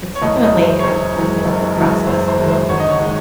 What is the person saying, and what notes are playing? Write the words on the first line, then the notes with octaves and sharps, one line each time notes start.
it's definitely a a difficult process, I don't know if anyone
C#5
F#1 D#5
D#5
F#2 E3 G#3
C5
C#5
F#1 C5
F#2 E3 G#3
F#1
F#2 E3 G#3
F#1 C5
C5
F#2 E3 G#3
C5
G#1 C#5
D#5
C#5
D#3 G#3